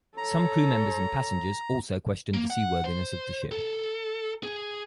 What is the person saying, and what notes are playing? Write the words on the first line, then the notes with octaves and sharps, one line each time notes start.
Some crew members and passengers also questioned the seaworthiness of the ship.
A4 C#5 A#5
A#3
F#5
C5
A4
G#4